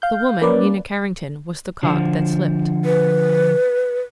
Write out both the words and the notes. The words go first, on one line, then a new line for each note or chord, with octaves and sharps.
The woman, Nina Carrington, was the cog that slipped.
F5 G6
A#3 C#4 B4 D5
D3 F3
B4